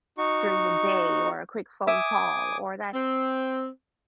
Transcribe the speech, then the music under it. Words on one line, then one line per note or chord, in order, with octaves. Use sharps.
during the day, or a quick phone call, or that
D#4 F#4 C#6
E5 G#5 D6 D#6
C4